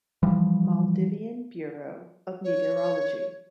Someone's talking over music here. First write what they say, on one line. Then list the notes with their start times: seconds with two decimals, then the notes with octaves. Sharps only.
Maldivian Bureau of Meteorology.
0.23 E3 F3 G3
2.44 C#5